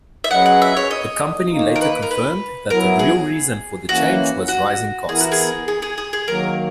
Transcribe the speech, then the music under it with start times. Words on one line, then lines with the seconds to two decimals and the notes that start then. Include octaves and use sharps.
The company later confirmed that the real reason for the change was rising costs.
0.24 E5
0.31 F#3 C#4 G#4 B4 D#5 F#5
0.46 F#5
0.62 E5
0.77 C#5
0.91 D#5
1.51 D#3 A#3 D#4
1.76 A#4
1.81 B4
2.02 A#4
2.11 B4
2.70 F#3 B3 E4 A#4
2.99 G#4
3.89 E3 A#3 C#4 F#4
4.48 F#4
5.08 E3 B3 E4 G#4 A#4
5.20 F#4
5.32 G#4
5.68 G#4
5.82 G#4
5.98 G#4
6.13 G#4
6.27 D#3 F#3 A#3 A#4